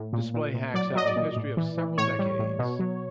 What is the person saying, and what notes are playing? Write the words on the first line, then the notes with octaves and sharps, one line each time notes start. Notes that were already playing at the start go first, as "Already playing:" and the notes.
Display hacks have a history of several decades.
Already playing: A2
A#2
A#2
A#2
F#3 D5
F#3 D#5
D5
A#2
A2
E3
E3
A2 C#5
G3
A2
B2
F#3